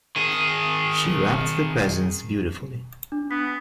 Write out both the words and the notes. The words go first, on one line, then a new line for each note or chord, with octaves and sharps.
She wrapped the presents beautifully.
D#3 G#4
D4
B3 B6